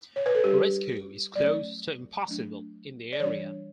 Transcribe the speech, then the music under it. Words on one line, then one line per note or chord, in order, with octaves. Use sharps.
Rescue is close to impossible in the area.
C#5
B4
A4
G3 D4 G4
F#3 A3 C#4 D5
F#3 A3 D4
D5
E3 G3 D4 C#5